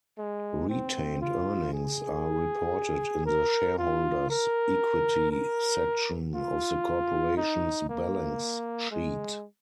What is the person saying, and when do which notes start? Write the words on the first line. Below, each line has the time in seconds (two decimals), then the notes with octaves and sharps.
Retained earnings are reported in the shareholders' equity section of the corporation's balance sheet.
0.18 G#3
0.69 C4
1.22 F4
1.73 G#4
3.26 A#4
3.78 F4
4.30 A#4
5.31 A#4
6.34 F4
7.37 D#4
7.89 A#3
8.91 G#3